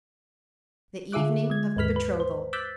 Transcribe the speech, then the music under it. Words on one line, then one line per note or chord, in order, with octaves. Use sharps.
The Evening of the Betrothal.
D3 F4 G#4 E5 D6 F#6
G#3 G#6
D#2 G#2 B4 F6 B6
B4
C5
D6 E6 F#6 G6 A6 B6